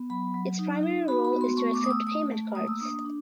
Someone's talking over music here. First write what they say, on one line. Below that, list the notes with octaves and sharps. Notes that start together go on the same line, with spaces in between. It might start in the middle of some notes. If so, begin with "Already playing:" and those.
Its primary role is to accept payment cards.
Already playing: B3
F#3 B5
F#3
D#4
D#4
F#4 B5
B5
B3
C6
A3 C#6
D6
A3 D#6
E6
A3 D#6
A3
A#3 D#6
E6
D4 D#6
D4